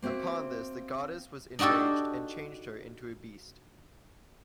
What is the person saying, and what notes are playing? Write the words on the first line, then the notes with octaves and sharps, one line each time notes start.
Upon this, the goddess was enraged and changed her into a beast.
A#3 C4 F#4 E5
D4 D#4 F#4 G4 A4